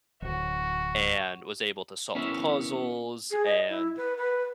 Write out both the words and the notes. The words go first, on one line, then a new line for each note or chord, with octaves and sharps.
and was able to solve puzzles, and
D1 F#4
B3 C#4 E4 A#4 E5
G#4
D#5
E4
B4
B4